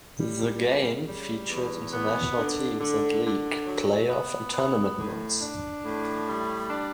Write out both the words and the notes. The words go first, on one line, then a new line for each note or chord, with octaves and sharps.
The game featured international teams and league, play-off and tournament modes.
G3
C#3
G3
E2
B3
D3
D3
D3
F#3
B3
B3
A2
D4
A2
G3
D4